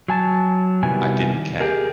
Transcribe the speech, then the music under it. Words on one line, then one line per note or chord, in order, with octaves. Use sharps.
I didn't care.
F#3 G#5 A5
C3 D#3 G3 B3 E4 G#5
G4 G#4 A#4